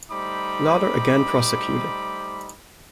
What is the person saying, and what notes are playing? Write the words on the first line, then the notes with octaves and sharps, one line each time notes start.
Lauder again prosecuted.
G3 A3 D#4 C5 B5 D6